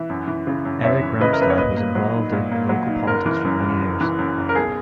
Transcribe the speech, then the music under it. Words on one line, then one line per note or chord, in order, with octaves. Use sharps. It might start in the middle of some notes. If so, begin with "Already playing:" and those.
Erik Ramstad was involved in local politics for many years.
Already playing: E3 E5
F#2
E3
C#3
F#2
F#2 C#5 E5
E3
C#3 B4 D#5
A#4
F#2 B4
C#5
A#2 B4 D#5
A#3
F#3
D#4
A#2
A#3
F#3
D#4
F#1 A#4
E3
F#2
F#1
F#1
E3
F#2
F#1
A#4
B1 G#4